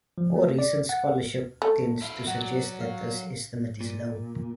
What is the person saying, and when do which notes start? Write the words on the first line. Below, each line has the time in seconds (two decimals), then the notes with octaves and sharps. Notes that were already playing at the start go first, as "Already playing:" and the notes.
More recent scholarship tends to suggest that this estimate is low.
0.18 F3
0.36 A3
0.59 D5
0.89 F#5
1.62 A3
2.02 E4 F5
2.27 F#3 F#4 D5
2.80 F5
3.81 A#2